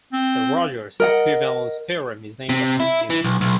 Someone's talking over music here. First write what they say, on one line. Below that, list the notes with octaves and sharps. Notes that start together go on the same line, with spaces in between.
The Rogers equivalence theorem is named after him.
C4
A#4 D#5 F#5
C3
E4
E3
B1
B1